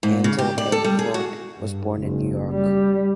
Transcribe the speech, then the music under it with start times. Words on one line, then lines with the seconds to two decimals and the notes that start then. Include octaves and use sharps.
Ansel Elgort was born in New York.
0.03 G#2
0.24 C#3
0.38 G4
0.58 D5
0.72 A4
0.84 G3
0.99 G#4
1.14 F#4
1.58 G2
1.97 F#1
2.51 G3